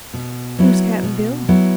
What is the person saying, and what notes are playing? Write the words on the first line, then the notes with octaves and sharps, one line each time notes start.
"Who's Cap'n Bill?"
B2
F#3 B3 E4
B2
F#3 B3 E4